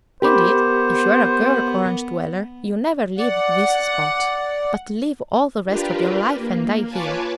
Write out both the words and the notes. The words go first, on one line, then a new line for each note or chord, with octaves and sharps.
Indeed, if you are a girl Orange-dweller you never leave this spot, but live all the rest of your life and die here.
B3 G4 A#4 C5 B5 D6
D5 F#5
D4 F4 G4 A#4 B4
A#3
F4 B4 C#5 G#5 A5 D6